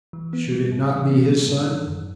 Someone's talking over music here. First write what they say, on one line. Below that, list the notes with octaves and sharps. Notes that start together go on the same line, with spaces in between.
Should it not be his son?
E3
B3
G3
A2
E3
B3
G3
A2
D#3
F#2